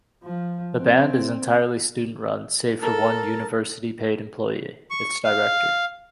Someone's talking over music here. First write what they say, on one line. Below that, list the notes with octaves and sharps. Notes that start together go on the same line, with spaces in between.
The Band is entirely student-run, save for one University-paid employee, its Director.
F3
C4
A4 A#4 A5
C#6
F5